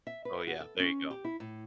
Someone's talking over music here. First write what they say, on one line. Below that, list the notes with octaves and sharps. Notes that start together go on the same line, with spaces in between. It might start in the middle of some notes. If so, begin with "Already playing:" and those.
Oh, yeah, there you go.
E5
B4
F#4
A4
C#4
G4
E4
A2